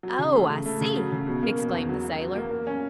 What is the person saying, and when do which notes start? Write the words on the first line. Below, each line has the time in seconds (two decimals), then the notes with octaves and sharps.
"Oh, I see!" exclaimed the sailor.
0.03 F#3
0.19 C#3
0.34 A3
0.50 C#3
0.66 A3
0.81 C#3
0.96 F#3
1.12 C#3
1.27 B2
1.43 A#3
1.58 B2
1.74 E2
1.89 F#3
2.05 F#3
2.21 F#3
2.36 A#3
2.51 A#3
2.67 C#4